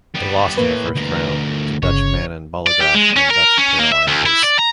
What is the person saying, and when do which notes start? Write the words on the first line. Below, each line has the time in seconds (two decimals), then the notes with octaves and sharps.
They lost in the First Round to Dutch Manon Bollegraf and Dutch Caroline Vis.
0.14 G3 B3
0.57 A2 E3 A#3 B4
0.95 D2 A#4
1.83 G1 C#3 C#5
2.67 D5
2.81 G4
2.95 G#3
3.17 C#4
3.31 A#4
3.58 C#4
3.79 A#3
3.92 E5
4.08 D2
4.26 E4
4.44 D5
4.59 A#5